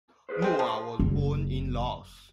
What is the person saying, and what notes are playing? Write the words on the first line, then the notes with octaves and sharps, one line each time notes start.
Moua was born in Laos.
G#4 B4 C5
G#3 C4
F3
F#1 F#2